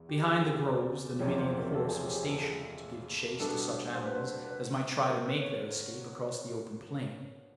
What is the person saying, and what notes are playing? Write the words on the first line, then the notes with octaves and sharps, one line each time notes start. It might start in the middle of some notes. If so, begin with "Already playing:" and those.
Behind the groves the Numidian horse were stationed, to give chase to such animals as might try to make their escape across the open plain.
Already playing: E2
G4
G#4
G4
G#4
D5
F#1 E2 C3 F3 C#5
C5
A#4
A4
G#4
G4
G#4
A4
G#4
B2 G3 B3 D4 A4
C5
B4
C5
B4
C5
A#4
B4
C#5